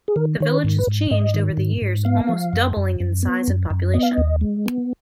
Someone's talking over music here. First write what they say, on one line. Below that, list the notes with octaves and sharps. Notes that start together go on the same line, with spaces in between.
The village has changed over the years almost doubling in size and population.
G#4
D#3 A#4
D#3 C#5
B4
G#2
B4
G#2
G#2 D#5
D#3
G#2
G#2
B3 F5
F3
F#2
F#2
F#2
B3
F#2
F#2
B3 D#5
F5
D#2 D#5
G#3
B3